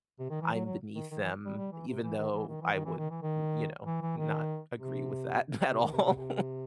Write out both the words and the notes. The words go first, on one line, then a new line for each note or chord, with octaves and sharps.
I'm beneath them, even though I would m you know, not agree with that at all.
C3
D#3
E3
F#3
F#3
D#3
D#3
E3
G3
G3
E3
C3
E3
D#3
E3
D#3
E3
D#3
E3
D#3
E3
D#3
E3
E3
D#3
C3
C3
D#3
C3
C3
C3